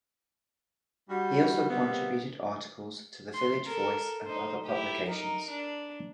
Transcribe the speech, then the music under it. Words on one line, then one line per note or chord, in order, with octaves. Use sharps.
He also contributed articles to "The Village Voice" and other publications.
G3 F#4
C3 G3 A#3 B3
C6
A4 A#4
D#4 C5
E4 G4
D#4 A#4
D4